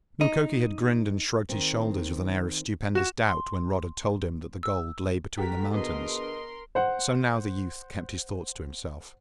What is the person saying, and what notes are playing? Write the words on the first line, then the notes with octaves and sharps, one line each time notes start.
Mukoki had grinned and shrugged his shoulders with an air of stupendous doubt when Rod had told him that the gold lay between the mountains, so now the youth kept his thoughts to himself.
D#4
D#3 C4
F#4 E7
C6
E6
F#4 G4 A4 A#4 B6
B2 D3 B3 G#4 A#4 B4 D#5 C6
C5 F#5